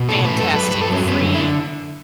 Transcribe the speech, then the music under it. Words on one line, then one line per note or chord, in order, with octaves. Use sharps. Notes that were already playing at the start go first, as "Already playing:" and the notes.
Fantastic. Free
Already playing: B2
A2 A4
A3 B4
F#2 A4
F#2 B4
G2 B4
A4
F#3
C#4
F#2
B3
C#4
D3
E4